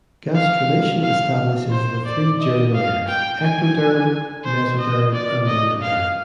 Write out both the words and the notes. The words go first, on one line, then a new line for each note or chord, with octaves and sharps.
Gastrulation establishes the three germ layers: ectoderm, mesoderm and endoderm.
F5
F5
C5
D5
D#5
F5
G5
G#5
C5
D#5
D5
D#5
F5